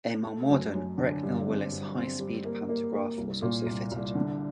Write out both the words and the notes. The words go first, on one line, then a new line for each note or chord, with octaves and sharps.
A more modern Brecknell Willis high speed pantograph was also fitted.
A3
F#2
F#2
D3
G2
C4
G2
C4
G3
A#3
A#3
A#3
C2
A#2
C2
C2
D3